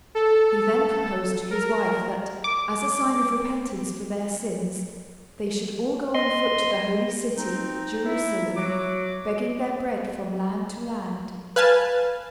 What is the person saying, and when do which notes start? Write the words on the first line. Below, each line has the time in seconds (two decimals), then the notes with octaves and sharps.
He then proposed to his wife that, as a sign of repentance for their sins, they should all go on foot to the holy city, Jerusalem, begging their bread from land to land.
0.15 A4
1.51 A#4
2.44 D6
6.15 D#5 C6
7.38 C4 D#4
8.06 E4
8.56 F#3 D6
11.56 B4 F5 G#5 A5